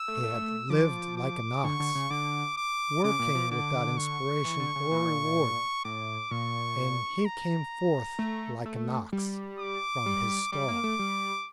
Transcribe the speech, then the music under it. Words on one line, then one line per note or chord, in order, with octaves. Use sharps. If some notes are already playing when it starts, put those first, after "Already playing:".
He had lived like an ox, working without inspiration or reward, and he came forth like an ox from his stall.
Already playing: E6
A3
A3
F3 D6
D6
D3 C#6
D3
C#3
D3 D6
D6
C#3 D6
A#2
F3
D3 D6
C#6
E3
D3
C#3
A#2
A2 D6
A#2 C#6
A#5
A3
A3
G3
D6
G3
G3 D6
A#3
A3
G3